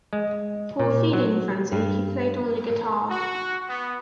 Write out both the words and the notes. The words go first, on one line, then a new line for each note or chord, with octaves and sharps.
For "Feeding Frenzy", he played only guitar.
G#3
A#2
F#3
G2
F#4
B3